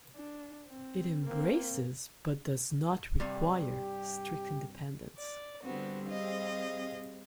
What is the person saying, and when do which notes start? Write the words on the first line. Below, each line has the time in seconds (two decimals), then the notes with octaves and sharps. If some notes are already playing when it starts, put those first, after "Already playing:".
It embraces but does not require strict Independence.
0.15 D4
0.67 C4
1.24 A#3 C4
3.20 G2 C3 G3
3.55 G4
5.18 D5
5.63 D3 G3 B3 C4 F#4
6.07 G#4 D#5 F5